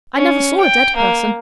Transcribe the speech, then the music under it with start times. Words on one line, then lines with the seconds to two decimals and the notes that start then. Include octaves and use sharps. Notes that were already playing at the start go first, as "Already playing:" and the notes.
'I never saw a dead person.
0.15 C#4
0.59 G5
0.96 A#3